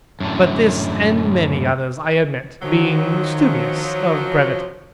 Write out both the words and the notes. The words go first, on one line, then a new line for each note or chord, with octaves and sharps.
But this, and many others, I omit, being studious of brevity.
F#2 A2 D3
D#3 F3 F#3